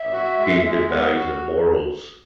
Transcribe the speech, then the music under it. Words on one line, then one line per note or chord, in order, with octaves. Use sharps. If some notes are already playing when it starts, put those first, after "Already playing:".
um, being good values and morals,
Already playing: E5
F#4
G#3
G#3
B3
F#4